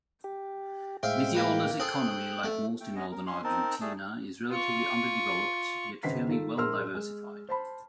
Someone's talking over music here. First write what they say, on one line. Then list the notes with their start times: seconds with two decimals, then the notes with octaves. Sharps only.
Misiones' economy, like most in northern Argentina, is relatively underdeveloped yet fairly well-diversified.
0.24 G4
1.03 A2 G#3 C5 E5 F5 G5
1.35 A#3 B4
1.80 G#4 A4 C5 G5 F#6
2.44 A3
2.81 A3 G5
2.96 B3 C#4 D#5
3.12 A#4
3.27 C#4 C6
3.44 C4 D#4 A#4 A5
3.81 G3 A3 G#4 A5
4.50 F4 C#6
6.03 G#1 C#2 B4 B6 C7
6.28 D#3 F4 A4
6.57 A#1 G#4 A#4 C6 E6 F6
6.95 G#3
7.49 C5 A5 B5